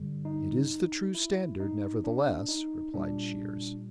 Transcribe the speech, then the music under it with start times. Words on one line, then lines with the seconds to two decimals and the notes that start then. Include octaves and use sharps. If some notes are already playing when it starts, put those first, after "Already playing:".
"It is the true standard, nevertheless," replied Shears.
Already playing: G2 D3 G3
0.25 D#4
1.15 E4
1.60 D#4
2.04 D4
2.49 D#4
2.94 A#2 G3 D4